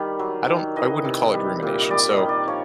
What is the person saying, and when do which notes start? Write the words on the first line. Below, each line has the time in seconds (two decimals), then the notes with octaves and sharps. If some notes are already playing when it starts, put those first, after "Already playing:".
I don't I wouldn't call it rumination. So,
Already playing: D#3 G3 D5
0.19 F#3
0.48 D#3
0.76 E3 D#5
1.05 C3
1.34 G3
1.62 A#2
1.82 D#5
1.90 G3 D5
2.10 D#5
2.19 D#3
2.29 D5
2.48 F3 C#5